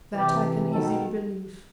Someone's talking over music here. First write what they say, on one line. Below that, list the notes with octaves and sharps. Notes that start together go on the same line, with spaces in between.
"That I can easily believe."
C3 E3 G4
B2 D#3 A4